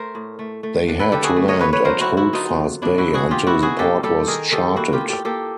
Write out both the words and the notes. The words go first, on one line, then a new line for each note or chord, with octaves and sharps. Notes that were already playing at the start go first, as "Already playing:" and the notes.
They had to land at Holdfast Bay until the port was charted.
Already playing: A3 A#4 C5
A2
A3
A3
D3
A4 B4
D3 G4 A4
F#4 G#4
A3
C#5 D#5
D3 B4 C#5
B4 C#5
F#3 A#4 C5
E4 F#4
D3
E4 F#4
F#3 D#4 F4
D3
B2 D4 E4
E4 F#4
B2
F#4 G#4
F#3 F4 G4
E4 F#4
B2
F#4 G#4
A#3 G4 A4
G3 G4 A4
D#3 G#4 A#4
D#3 G4 A4
A#3 E4 F#4
F4 G4
A2
G4 A4
A#3 G4 A4